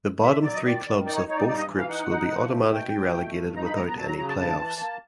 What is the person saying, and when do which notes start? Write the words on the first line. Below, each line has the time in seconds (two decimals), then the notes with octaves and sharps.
The bottom three clubs of both groups will be automatically relegated without any playoffs.
0.22 D3 E5
0.43 F#3 D5
0.54 D#5
0.64 D#3 D5
0.85 D#3
1.06 D#4 D5
1.16 C#5
1.27 D#4 C#5
1.37 D5
1.48 G2 D5
1.58 D#5
1.68 E3
1.79 F5
1.89 D#4 F#5
2.10 D#4
2.31 F3
2.52 A3
2.72 B2 G5
2.93 B2
3.14 A3
3.35 G2
3.56 D#4 A#5
3.66 B5
3.77 B3 A#5
3.87 A#5
3.98 F#3 A5
4.08 A#5
4.18 C#3 A#5
4.28 A5
4.39 G2 A5
4.59 E3
4.81 A#3